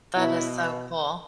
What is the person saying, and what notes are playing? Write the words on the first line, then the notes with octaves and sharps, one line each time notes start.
That is so cool.
B2 E4